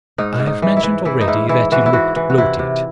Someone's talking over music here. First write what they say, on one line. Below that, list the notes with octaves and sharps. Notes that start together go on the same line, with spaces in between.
I have mentioned already that he looked bloated.
G#2 D#4
G#2
D#4
E3
E4
E3
E3 E4
D#4
G#2 E4
E3 E4
E3 F#4
E4
E3 F#4
E3
F#4
C3 E4
C3